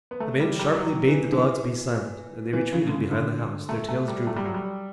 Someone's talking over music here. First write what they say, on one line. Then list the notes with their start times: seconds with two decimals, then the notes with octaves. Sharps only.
The man sharply bade the dogs be silent and they retreated behind the house, their tails drooping.
0.11 B3
0.20 A3
0.40 G3
0.59 G3
0.73 G3
0.78 F#3
1.07 E3
1.32 D3
1.37 E3
2.53 E3
2.73 C#3
2.87 D3
2.92 C#3
3.11 D3
3.69 A3
3.88 A3
4.08 G3
4.27 A3
4.36 G3
4.45 F#3
4.54 G3